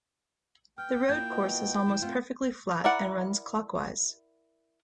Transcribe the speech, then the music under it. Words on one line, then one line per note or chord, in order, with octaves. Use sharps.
The road course is almost perfectly flat and runs clockwise.
B3 G5 F6
A#3 E4 F4 G6
B2
D3 E4 C5
A3 C4 F4 F#5
E4 A#4 D5 F#5